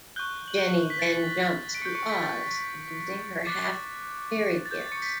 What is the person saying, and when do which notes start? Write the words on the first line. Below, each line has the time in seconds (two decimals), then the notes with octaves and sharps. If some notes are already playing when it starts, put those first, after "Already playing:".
Jenny then jumps to Oz using her half-fairy gifts.
0.16 C#6 F#6 G6 G7
0.48 F#7
0.57 G6 G7
0.90 B6
0.99 A6
1.40 A6
1.75 D7
1.81 C#6 G6 C#7
1.95 C#6 C#7
2.10 B6
2.22 A6
3.47 D6 F#6 A6
4.66 A6
4.71 G6
4.81 A6
4.92 C#6 C#7
5.02 B6